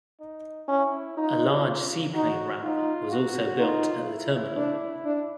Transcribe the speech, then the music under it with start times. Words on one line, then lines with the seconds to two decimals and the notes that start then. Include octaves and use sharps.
A large seaplane ramp was also built at the Terminal.
0.20 D#4
0.68 C#4 E4
1.17 D#4 F4
2.14 D#4 F#4
2.63 D#4 F4
3.11 F#4
3.59 D#4 F4
4.08 E4
4.57 D4
5.05 D4